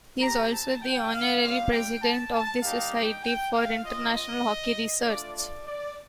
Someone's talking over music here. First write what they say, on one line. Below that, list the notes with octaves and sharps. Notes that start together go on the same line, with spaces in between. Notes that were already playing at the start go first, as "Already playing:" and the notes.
He is also the Honorary President of the Society for International Hockey Research.
C4 G4 A#5
A5
G5
F5
G3 C4 G4 F5
G5
A5
A5
G3 A#3 D#4 G4 F5
G5
G5
F5
C4 F4 D#5
D#5
A3 D4 F4 D5
D5
D5